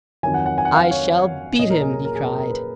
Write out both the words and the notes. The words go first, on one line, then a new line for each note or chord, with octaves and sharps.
"I shall beat him!" he cried.
F2 D#3 F#3 G#5
F#5
F#5
G#5
F#5
F5
C#5
A#2 F#3 C#4 D#5
A#4
G#4
A#4
A#4
G#4
A#4
A#4
B4